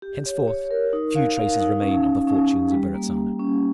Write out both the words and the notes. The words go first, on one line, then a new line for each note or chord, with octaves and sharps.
Henceforth few traces remain of the fortunes of Verrazzano.
G4
C#5
C#5
A#4
D#4
F5
F5
D#4
C#4
C#4
C#4
G4
G3
A#3
A#3
C#4